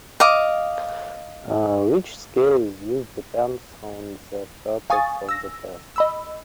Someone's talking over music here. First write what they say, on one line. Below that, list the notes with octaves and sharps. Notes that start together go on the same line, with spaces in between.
Which scale is used depends on the purpose of the test.
D#5 F5 D6
F5 G#5 C#6 D#6 A6
E6 A#6
D#5 B5 E6